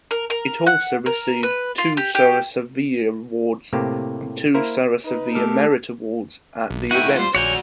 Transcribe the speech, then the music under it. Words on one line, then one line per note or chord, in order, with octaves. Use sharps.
It also received two Sarasaviya awards and two Sarasaviya merit awards at the event.
A#4
A#4
F#5
A#4
B4
F4
G4
G4
A2 C3 A#3 G4
A#3 E4 A#4 C5
D#4 B4
A3 G4 A4 A#4
B1
A3 D#4 E4 F#5 G5 C#6 D#7
G3 F4 C5 C6
A#1 F#4 C#5 D5 F#5 G#5 G6 F7